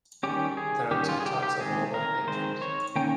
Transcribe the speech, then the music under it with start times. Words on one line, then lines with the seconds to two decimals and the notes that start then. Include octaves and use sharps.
There are two types of mobile agent.
0.23 D#3 G3 C#4 G4
0.57 G#4
0.91 D#3 G3 C#4 G4
1.09 F4
1.20 G#4
1.26 G4
1.43 G4
1.59 D#3 G#3 C4 G#4
1.94 A#4
2.27 D#3 G#3 C4 C5
2.62 C#5
2.96 D#3 A#3 C#4 G5